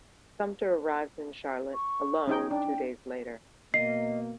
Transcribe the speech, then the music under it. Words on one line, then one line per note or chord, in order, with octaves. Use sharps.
Sumter arrived in Charlotte, alone, two days later.
C#6
C#4 D#4 G#4 G5
D4 G5
B2 A#3 D#5 C7